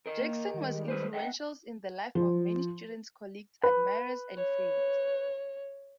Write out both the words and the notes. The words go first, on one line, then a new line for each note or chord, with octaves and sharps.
Jackson was influential in the lives of many students, colleagues, admirers, and friends.
A#4 D#5 G#5 C7 E7
A#3
D#3 G3 G#3
G#4 B4 C5
D#5 E5 F#5 G5
F3
B4
C#5